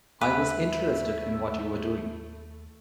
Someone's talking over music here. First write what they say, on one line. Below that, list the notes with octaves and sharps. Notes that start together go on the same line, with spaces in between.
I was interested in what you were doing.
D#2 A3 B4 E5